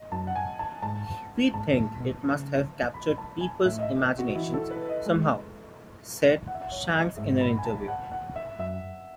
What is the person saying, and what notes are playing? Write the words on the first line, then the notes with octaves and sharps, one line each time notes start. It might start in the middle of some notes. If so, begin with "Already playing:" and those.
"We think it must have captured people's imaginations somehow", said Shanks in an interview.
Already playing: D#5
F#2 A5
F#5
G#5
A5
G#2 A5
G#2 A5
A2
B2
C#3
B5
A5
G#5
A2 E5
D#5
E5
D#5
F#4
E3 E4
A4
B4
D#5
G#3
F#5
E5
F#5
C#5
D#5
G#2 E5
B5
G#5
A5
F#5
F#5
E5
F#2 E5